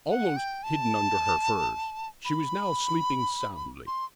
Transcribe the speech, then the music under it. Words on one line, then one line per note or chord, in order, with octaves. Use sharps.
Almost hidden under her furs, she was now sleeping soundly.
F#5
G5
A5
B5
C6